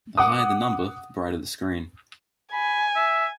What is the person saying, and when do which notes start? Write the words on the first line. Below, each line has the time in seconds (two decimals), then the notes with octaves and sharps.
The higher the number, the brighter the screen.
0.17 F#5 D6 D#6
2.53 G#5 B5
2.96 E5